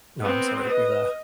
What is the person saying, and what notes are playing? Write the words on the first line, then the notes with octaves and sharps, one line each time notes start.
No, I'm sorry to hear that.
B3 C4
B4 D#5